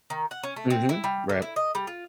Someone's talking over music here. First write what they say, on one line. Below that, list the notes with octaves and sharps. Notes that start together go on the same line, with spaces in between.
Mhm, right.
D#3
F#5
C#4
A3
C4
E4
G3
D3
E4
D#5
G3
F4